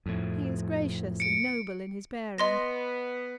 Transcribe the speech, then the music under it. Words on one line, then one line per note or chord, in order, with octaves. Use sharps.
He is gracious and noble in his bearing.
F2 A2
C#7 D7
B3 D#5 C6 A#6